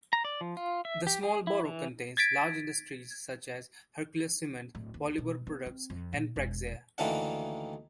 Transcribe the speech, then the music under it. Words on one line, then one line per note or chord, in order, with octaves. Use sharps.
The small borough contains large industries such as Hercules Cement, Polymer Products, and Praxair.
A#5
D5
F3
F4
E5
G4
G#4
E4
E3
G#6 A6 B6 D7
D1
D#2
B2
B3
C4
F2
A#2
E1
D2 D#3 E3 A#3 D4 F#5